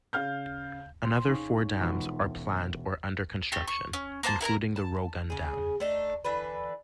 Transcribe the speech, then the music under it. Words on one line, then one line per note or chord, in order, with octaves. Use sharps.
Another four dams are planned or under construction, including the Rogun Dam.
C#3 F5 F6 G6
C3 C6
C#4 D#4 G#4 F5 G#5
E1 B2 G#3 F4 E5
A3 C4 G4
C#6
C#4
A#3 C5 F5 A5
E4 A#4 G#5 A#5
A5
C#3 G#4
A3 D4 D#4
D3 E3 D4 B4